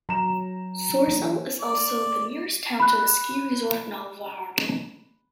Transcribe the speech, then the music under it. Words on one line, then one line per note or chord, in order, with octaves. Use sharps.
Sorsele is also the nearest town to the ski resort Nalovardo.
F#3 A#5 E7
E3 A#3 D4
D5
B5 F#6